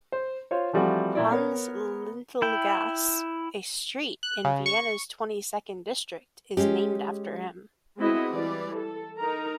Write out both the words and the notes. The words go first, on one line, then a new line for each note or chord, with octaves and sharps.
"Hannes-Lintl-Gasse," a street in Vienna's twenty-second district, is named after him.
C5
F4 C5 C#5
E3 F3 G3 A3 C4 F#4
A#2 E4 D5
B3 A#4 C#5
E4 G5
F#6
C#3
C#6
G#3 C#4 G4
G#3 B3 C4 E4 F#4 D#5
E3 G3 D5
A4
D#4 A#4 A#5